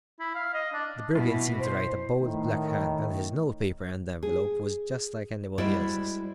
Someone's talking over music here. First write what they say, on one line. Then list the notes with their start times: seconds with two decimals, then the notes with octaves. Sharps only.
The Brigand seemed to write a bold, black hand, and his note-paper and envelope was just like anybody else's.
0.20 E4
0.35 F5
0.54 D#5
0.73 D4
1.15 B2 E4
1.59 C5
2.21 A2 D#3
4.23 G#4
5.58 G3 G#3 E4 F#4 C5 D5